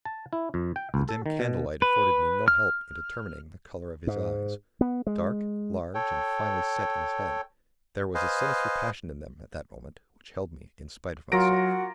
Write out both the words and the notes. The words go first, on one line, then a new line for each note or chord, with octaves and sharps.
The dim candlelight afforded me no help in determining the color of his eyes. Dark, large, and finely set in his head, there was a sinister passion in them, at that moment, which held me in spite of myself.
A5
E4
F2
G5
C#2
A4
D#3
B2
B4
F6
G#2
B3
G#3
A4 C#5 G5
B4 C5 D#5 F5 G#5
F#3 A#3 F4 F#4 A#6 D7